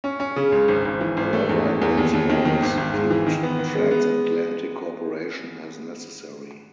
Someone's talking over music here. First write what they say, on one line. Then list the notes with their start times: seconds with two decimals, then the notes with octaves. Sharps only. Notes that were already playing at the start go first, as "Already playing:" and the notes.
However, Rolls-Royce viewed transatlantic cooperation as necessary.
0.04 C#4
0.20 C#4
0.36 C#3
0.52 C#2
0.68 G#1
0.85 G#1
1.00 E3
1.17 G#1
1.33 A3
1.49 E2
1.66 E2
1.82 E2
1.97 D#2
2.13 D#2
2.30 D#3
2.45 D#3
2.62 G#1
2.78 G#1
2.94 G#2
3.11 E3
3.27 D#3
3.43 B3
3.59 B3
3.75 G#3
3.91 B3